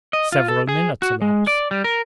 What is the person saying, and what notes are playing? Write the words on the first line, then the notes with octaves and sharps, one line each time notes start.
Several minutes elapsed.
D#5
F4
A4
G#4
F#4
G#3
D5
G3
A#4